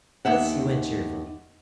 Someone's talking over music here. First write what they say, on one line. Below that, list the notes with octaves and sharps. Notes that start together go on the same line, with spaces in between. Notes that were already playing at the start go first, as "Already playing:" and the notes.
Elsie went cheerfully.
D#2 E5 F#5